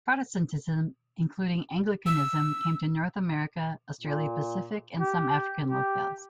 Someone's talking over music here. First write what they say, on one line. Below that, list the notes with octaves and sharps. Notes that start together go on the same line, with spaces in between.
Protestantism, including Anglicanism, came to North America, Australia-Pacific and some African locales.
E6
A#2
G4
G4